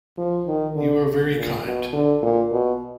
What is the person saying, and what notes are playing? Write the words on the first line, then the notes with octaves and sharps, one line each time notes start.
You are very kind.
F3
D#3
D3
A#2
B2
D3
A#2
B2